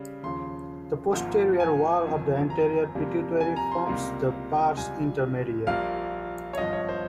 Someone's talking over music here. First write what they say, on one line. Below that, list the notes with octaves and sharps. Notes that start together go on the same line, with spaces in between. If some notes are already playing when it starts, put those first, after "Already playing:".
The posterior wall of the anterior pituitary forms the pars intermedia.
Already playing: C#3 G3
D#2 C#3 F3 C6
G#1 G#2 F3 A#3
G#5
G1 F2 D#3
A#5
F2 C3 G3 A#3
G#5
A#5
C6
C#2 C3 G3 A#3
C#2 C3 G3 G#5
A#1 A#2 G3 A#3 F5
C#5
G#1 G2 F3 D#5
C#5
C5